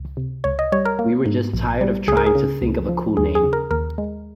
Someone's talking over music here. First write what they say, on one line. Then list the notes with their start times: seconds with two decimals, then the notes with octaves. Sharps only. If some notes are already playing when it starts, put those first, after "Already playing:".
We were just tired of trying to think of a cool name.
Already playing: C#2
0.17 C3
0.44 C#2 C#5
0.59 D#5
0.72 G3 C#5
0.85 A#4
0.99 A#3
1.26 G#2
1.54 A#1
1.81 G3
2.08 C#2 G#4
2.17 A#4
2.26 G#4
2.35 C#3
2.62 C#2
2.89 F3
3.17 D#2 G#4
3.35 G#4
3.44 C#3
3.53 A#4
3.71 D#2 A#4
3.98 G#3